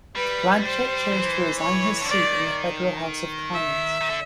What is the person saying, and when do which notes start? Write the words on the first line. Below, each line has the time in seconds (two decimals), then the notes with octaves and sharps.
Blanchet chose to resign his seat in the federal House of Commons.
0.15 G3 B4
0.64 C5
1.11 E3
1.60 C#5
2.01 D3
2.07 D#3 D5
3.53 E5
4.01 D#3
4.10 D3